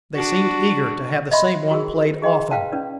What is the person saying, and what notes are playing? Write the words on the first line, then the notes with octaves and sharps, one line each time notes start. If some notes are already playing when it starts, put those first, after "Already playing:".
They seemed eager to have the same one played often.
D4 F#4
D#5 E5 B5 C6
F#4 G#4 A#4
G#4 D#5 G5 C6
B4 F5 G5 A5
C#4 B4 D5